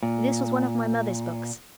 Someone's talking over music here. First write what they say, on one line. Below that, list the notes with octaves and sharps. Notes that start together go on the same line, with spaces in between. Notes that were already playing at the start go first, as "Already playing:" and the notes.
This was one of my mother's books.
A#2